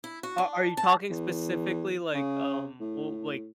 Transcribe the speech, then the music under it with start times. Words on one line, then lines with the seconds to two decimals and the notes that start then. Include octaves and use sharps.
A are you talking specifically, like, um, well, like,
0.04 E4
0.23 F#4
0.38 D4
0.77 A5
1.10 E2
2.14 C#3
2.80 A2